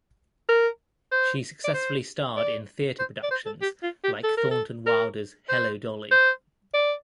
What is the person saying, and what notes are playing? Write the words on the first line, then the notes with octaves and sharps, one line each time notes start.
She successfully starred in theatre productions like Thornton Wilder's Hello, Dolly!
A#4
C5
D5
C5
D5
C5
D5
C5
A4
G4
F4
G4
A4
A#4
A4
A#4
C5
C5
D5